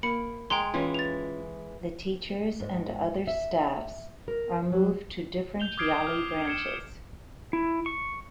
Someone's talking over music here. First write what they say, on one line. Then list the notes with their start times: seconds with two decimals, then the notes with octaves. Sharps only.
The teachers and other staffs are moved to different Yali branches.
0.03 A#3 B5 C#7
0.50 G#3 G5 A#5 C6
0.74 E3 C#4 F4
0.94 A6 F7
2.60 G#2
3.27 E5
4.28 A#4
4.72 F#3
5.60 G6 F7 G7
5.78 D6 D#6 F6 G#6 C7 D7
6.02 D6 F6
6.45 G#6 C#7 E7
7.53 E4
7.86 C#6